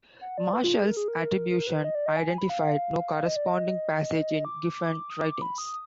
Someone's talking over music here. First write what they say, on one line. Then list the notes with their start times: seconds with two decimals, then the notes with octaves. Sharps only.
Marshall's attribution identified no corresponding passage in Giffen's writings.
0.21 F#5
0.38 D5
0.53 B4
0.64 F4
0.76 G#4
0.86 A#4
0.97 G#4
1.08 A#4
1.51 A#4
1.67 B4
1.84 D#5
1.95 D5
2.06 D#5
2.16 G#5
2.27 G#5
2.38 B5
2.49 F5
3.14 F5
3.26 D#5
3.36 D5
3.46 D#5
4.45 D6
5.10 D#6
5.21 D6
5.32 D6
5.42 B5
5.58 D#6